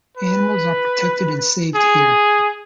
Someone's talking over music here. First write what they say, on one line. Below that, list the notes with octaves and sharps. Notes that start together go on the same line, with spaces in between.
Animals are "protected and saved" here.
B4
G#4